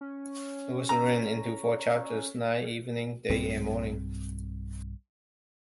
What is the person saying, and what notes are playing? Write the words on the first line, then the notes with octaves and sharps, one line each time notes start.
It was written into four chapters: Night, Evening, Day and Morning.
C#4
A#5
B1 G2 G3 C4